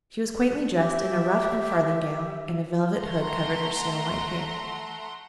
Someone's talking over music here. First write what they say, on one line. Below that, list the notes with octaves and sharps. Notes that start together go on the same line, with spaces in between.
She was quaintly dressed in a ruff and farthingale, and a velvet hood covered her snow-white hair.
G4 E5
A3 F#5 A#5 C6